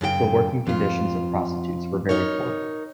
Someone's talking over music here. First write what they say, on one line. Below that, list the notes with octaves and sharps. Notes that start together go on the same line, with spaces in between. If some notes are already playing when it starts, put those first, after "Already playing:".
The working conditions of prostitutes were very poor.
F#2 C#3 G4 G5
F2 F4
D#4 A#4 C#5